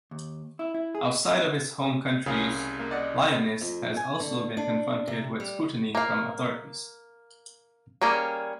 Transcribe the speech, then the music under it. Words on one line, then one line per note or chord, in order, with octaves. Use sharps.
Outside of its home countries, Lyoness has also been confronted with scrutiny from authorities.
D#2
E4
E4
G#4
C2 C#3 G#4 A#4 F5
A#3
D5 D#5 F#5
F2
G#5
D3
D4
C3
G3
A#3 F5
G3 A#3 C#4 G#4